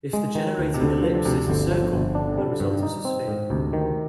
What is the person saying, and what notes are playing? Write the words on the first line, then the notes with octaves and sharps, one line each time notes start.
If the generating ellipse is a circle, the result is a sphere.
G#3
D#3
D2
C3
D2 D3
F3
D3
D2 C3
G1 D3
F3
D3
G1
D3 D4
D3
C3 G3
D3
G2
D#3
D#4
C4
G#2
D2 C3
D#3